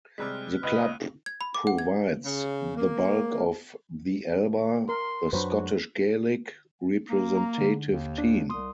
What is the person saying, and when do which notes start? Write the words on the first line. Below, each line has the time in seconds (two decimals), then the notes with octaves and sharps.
The club provides the bulk of the Alba, the Scottish Gaelic representative team.
0.18 C3 G3 G#3 F6 F#6 B6
0.63 C#2 B4 D#5 D#6 B6 D#7
1.26 G#6
1.41 B5
1.54 D6
1.67 F#5
1.78 G#6
2.24 C#3
2.76 A#3
4.89 A#4 C6
5.33 F#2 F#3 D4 F#4 B4 C5 B5
7.09 A#3
7.37 A#5
7.58 D3
7.89 D#2
8.18 D4
8.50 C2 C6 D#6